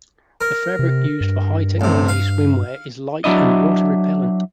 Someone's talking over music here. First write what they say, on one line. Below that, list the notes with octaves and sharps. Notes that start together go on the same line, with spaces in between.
The fabric used for high-technology swimwear is light and water-repellent.
A#4
C3
G2
A1 C3
F5
F#3 D4 E4 D#5